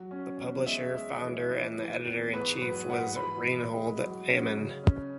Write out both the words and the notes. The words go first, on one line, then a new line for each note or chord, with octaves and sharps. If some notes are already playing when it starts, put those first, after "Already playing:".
The publisher, founder, and editor-in-chief was Reinhold Aman.
Already playing: F#3
C#4
E2
G#3 E5
G#3
E3
E3
E3
E2
G#2 B4
F#3 B4
G#2 F#5
E3 B5
E3
G#3
F#3
C#4
C#3
C#4